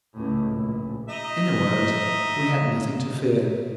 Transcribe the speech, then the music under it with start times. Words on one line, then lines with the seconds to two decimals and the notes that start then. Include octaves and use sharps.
In a word, we had nothing to fear.
0.14 C#2 A2
0.52 A#1
1.09 D#4 D#5 E5